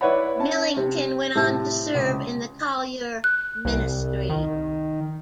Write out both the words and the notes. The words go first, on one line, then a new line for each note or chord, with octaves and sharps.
Millington went on to serve in the Collier Ministry.
E4 B4 C#5 D5 F#5 B5
C#4 A5
C3
A2 C3 E5 A5
C#2
F#6
C2
D#3